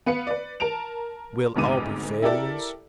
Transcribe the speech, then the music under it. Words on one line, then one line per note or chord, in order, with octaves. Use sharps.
"We'll all be failures?"
B3 B4 F5 C#7
B4 D5
A#4 A5 D7 F7
F1 D2 G#2 B3 D6 D#7
E4 G4 A4 A#4 D5 E5